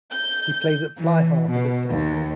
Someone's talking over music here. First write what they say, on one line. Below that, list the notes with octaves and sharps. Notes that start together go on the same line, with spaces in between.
He plays at fly-half and at centre.
G6
E3
B2
D#2